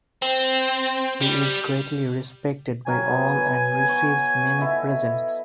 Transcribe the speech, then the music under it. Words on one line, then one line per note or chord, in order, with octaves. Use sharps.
He is greatly respected by all and receives many presents.
C4
G3
F#3 A#4 G5 G#5
B3
C#5
E4 A4 D#5